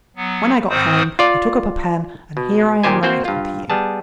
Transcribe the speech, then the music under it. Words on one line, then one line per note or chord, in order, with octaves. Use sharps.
When I got home I took up a pen, and here I am writing to you.
F#3 B3
G#2 D#3 C4 C5 D#6
F4 D5
B2
A#2 D#3 G4 C5 G#5
A#3 C4 F#4 C5 G5
G2 F4
G3 B3 G#4 A5